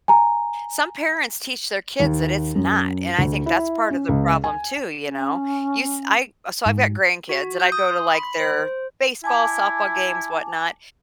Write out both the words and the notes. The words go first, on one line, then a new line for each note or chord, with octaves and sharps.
some parents teach their kids that it's not, and I think that's part of the problem, too, you know? You s I so I've got grandkids, and I go to, like, their baseball, softball games, whatnot.
G#5 A#5
D#2
F#2
D2
E4
C#4
C#2
G#5
C#4
G#2
F#4
G6
D#6
C6
B5
C5
E4 G#5 A5 D6